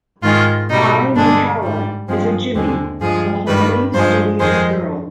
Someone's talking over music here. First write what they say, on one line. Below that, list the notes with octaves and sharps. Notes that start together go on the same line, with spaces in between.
Ai Maekawa is a "jimi", a homely, studious girl.
G#2 D#3 G#3 F4
B2 G3 D#4
G2 D3 G#3 D4
G#2 G3
G2 F3 G#3 C4
D#2 D3 G#3 C4
G2 F3 G#3 G#4
G2 D#3 G3 B4
G2 F3 G#3 C5
F2 D#3 G#3 C5